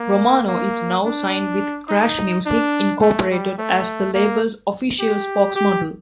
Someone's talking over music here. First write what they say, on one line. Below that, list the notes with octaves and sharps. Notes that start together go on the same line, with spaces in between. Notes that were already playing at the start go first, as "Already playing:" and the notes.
Romano is now signed with Crash Music, Incorporated as the label's official spokesmodel.
Already playing: A#3
A#3
D4
D#4
D4
A3
G3
A3
A#3
G4
G4